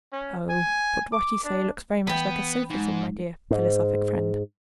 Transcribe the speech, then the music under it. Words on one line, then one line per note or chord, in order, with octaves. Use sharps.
"Oh! but what you say looks very much like a sophism, my dear philosophic friend."
C#4
G#5
D6
D4
E3 B3 G5 B5
G#2 G#3 D#4
G#2